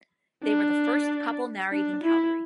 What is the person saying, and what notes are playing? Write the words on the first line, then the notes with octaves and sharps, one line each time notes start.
They were the first couple married in Calgary.
D4
D4
E4